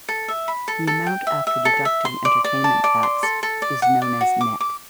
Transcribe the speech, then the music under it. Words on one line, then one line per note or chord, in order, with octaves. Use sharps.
The amount after deducting entertainment tax is known as nett.
A4
E5
B5
A4
A4
G5
E5
E5
A4
E5
C6
D5
D5
A5
D5
C6
A4
A4
D5
F#5
D5
F#4
D6
D6